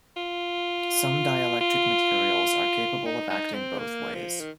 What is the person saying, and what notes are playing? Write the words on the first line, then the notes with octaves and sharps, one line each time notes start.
Some dielectric materials are capable of acting both ways.
F4
F4
D#4
D#4
C4
A#3
F3
D#3